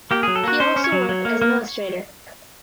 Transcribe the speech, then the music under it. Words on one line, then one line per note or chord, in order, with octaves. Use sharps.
He also worked as an illustrator.
A#3 G4
F#3 G#4
A4
A#3 F#4
C#4 C5
C#4
C#5
F#3
F#3
A#3
A#3